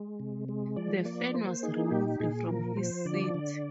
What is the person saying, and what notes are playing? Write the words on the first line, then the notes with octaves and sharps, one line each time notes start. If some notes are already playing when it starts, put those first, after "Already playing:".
The fan was removed from his seat.
Already playing: G#3
C3
G#3
F3 D5
A#3 D5
A#3 C5
D#4 G#4
A#2 G4
A#2 G#4
F3 A#4
F3 C5
D3 D5
D3